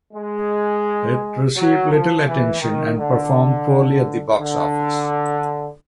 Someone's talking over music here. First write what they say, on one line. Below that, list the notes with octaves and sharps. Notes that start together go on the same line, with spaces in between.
It received little attention and performed poorly at the box office.
G#3
F#3
F3
E3
D#3
D3
D3